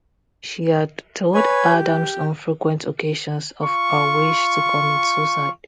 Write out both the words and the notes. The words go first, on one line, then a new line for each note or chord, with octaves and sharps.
She had told Adams on frequent occasions of her wish to commit suicide.
B4 C#5 G#5
G4
F4 C#6